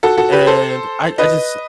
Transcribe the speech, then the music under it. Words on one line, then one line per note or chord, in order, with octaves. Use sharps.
and I I just
F#4 A4
F#4 A4
G4 B4
A4 C5
B4 D#5